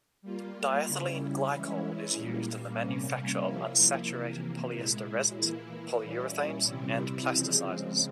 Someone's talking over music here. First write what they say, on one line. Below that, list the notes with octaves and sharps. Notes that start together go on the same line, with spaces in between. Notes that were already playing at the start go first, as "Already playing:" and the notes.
Diethylene glycol is used in the manufacture of unsaturated polyester resins, polyurethanes, and plasticizers.
G3 A#3 F4
C#3 G3 C#4 E4
E3 G#3 C#4 E4
A#2 G3 A#3
C3 G3 A#3 C#4
F3 A#3 E4
C3 E3 A#3
A#2 G#3 E4
E3 A#3 E4
A#2 G3 C#4 E4
C3 E3 G3 C4 E4
C#3 F3 G#3 C4